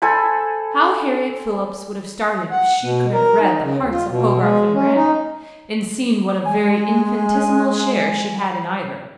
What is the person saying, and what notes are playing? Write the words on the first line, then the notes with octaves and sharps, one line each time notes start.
How Harriett Phillips would have started if she could have read the hearts of Hogarth and Brandon, and seen what a very infinitesimal share she had in either.
A4 C5 G#5 B5
F#5
B2
A#4
D#4
C#3
D#2
F4
B2
G#3
C#4
D#4
G#3 G#5